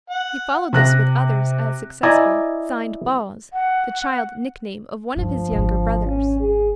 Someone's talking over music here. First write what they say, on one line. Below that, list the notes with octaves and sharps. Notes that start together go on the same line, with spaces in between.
He followed this with others as successful, signed "Boz"--the child nickname of one of his younger brothers.
F#5
C3 F#6 A#6
E4 D5 D#5 G#5 A#5
F#5
G2 F3
G#1 D3
C#4
G#4